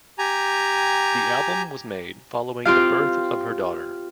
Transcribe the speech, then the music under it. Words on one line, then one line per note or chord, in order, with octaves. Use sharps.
The album was made following the birth of her daughter.
G4 G#5 A#5
C4 F4 G4 F5